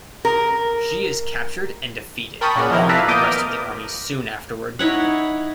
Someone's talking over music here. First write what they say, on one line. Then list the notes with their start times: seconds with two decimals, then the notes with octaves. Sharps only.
She is captured and defeated along with the rest of the army soon afterward.
0.25 A#4
2.41 A#4 G5 A5 B5 C#6 D#6
2.55 A#2 C#4 F#4 G#4 D5
2.70 D#3 F3 E4 A#4
2.89 A4 B4 D5 E5 F5 A#5
3.08 A#3 B3 D#5 D6 D#6 G6
3.24 A#4
4.79 D#4 E4 C#5 F#5